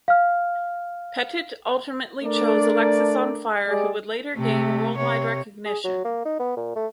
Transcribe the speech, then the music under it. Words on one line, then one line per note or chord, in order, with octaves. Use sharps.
Pettit ultimately chose Alexisonfire who would later gain worldwide recognition.
F5 F6
A3 D4 A#4 D5
G3 G#3 G#4 D5
C3 A3
C3 C#5
G#4
F#3
A#3
D#4
B3
A#2
A3